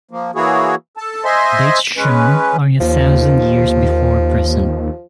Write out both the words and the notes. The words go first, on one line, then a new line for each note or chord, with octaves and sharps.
Dates shown are in thousand years before present.
F3 A#3
E3 A#3 E4 F#4 G#4 C#5
A4 A5
C5 D#5 E5 G#5 C6
G#3 C#4 B4
D#2 F3